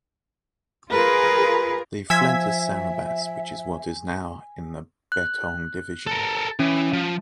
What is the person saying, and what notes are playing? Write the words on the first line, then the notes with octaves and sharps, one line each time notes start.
They fled to Saribas which is what is now in the Betong Division.
F4 G#4 A#4 B4
F3 E5 G#5 E6 G#6 B6
F#6
A4 A#4
E3 C#4
F3